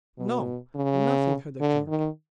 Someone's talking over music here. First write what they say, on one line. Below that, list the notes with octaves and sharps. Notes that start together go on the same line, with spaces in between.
No; nothing had occurred.
B2
C#3
D3
D#3